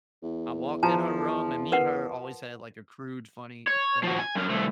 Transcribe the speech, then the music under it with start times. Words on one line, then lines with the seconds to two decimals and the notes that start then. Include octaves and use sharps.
I walked in her room and me and her always had, like, a crude, funny thing
0.23 E2
0.83 F3 A5 A#5
1.72 A#4 B4 F#5
3.68 C#5
4.03 F3 F#4
4.19 G#5
4.36 F#2 A#4
4.50 C2 A3